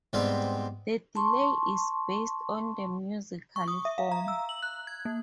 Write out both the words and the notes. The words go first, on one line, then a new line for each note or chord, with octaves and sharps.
The delay is based on the musical form.
G#2 G3 B3 C4
A5 C6 C#6
C#6
D#6
E5
F5
A#5
E6
F#7
F#6
G#6
A#3